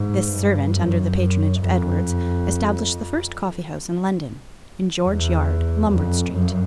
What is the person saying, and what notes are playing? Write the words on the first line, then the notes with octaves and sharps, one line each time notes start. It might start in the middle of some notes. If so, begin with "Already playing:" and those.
This servant, under the patronage of Edwards, established the first coffee-house in London, in George Yard, Lombard Street.
Already playing: G#2
G2
F#2
F2
E2
F2
F#2